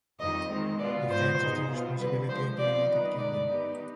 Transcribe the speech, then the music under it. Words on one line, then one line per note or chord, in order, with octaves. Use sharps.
Defence is the responsibility of the United Kingdom.
F2 D#3 G3 D#5
D#3 G#3 C4
B2 G#3 B3 F4 D5
G#2 F3 B3 C5
B2 B3 D#4 G#4 C5
B2 B3 F4
D3 G3 C4 B4
D3 F3 G#3 C5
C3 F3 B3 F4 D5
D#3 G3 B3 D#4 B4
G2 D3 G#3 D5
D#3 B3 D#4 G4 B4